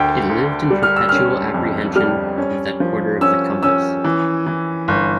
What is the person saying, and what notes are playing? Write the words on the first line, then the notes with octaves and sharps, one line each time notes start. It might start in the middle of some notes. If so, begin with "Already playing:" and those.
It lived in perpetual apprehension of that quarter of the compass.
Already playing: D2 D3 G5
D2
G3
F6
E6
C#4 F6
F2
G3 F6
C#4
F3
C#4 E6
C#4 E6
E3
E3
G1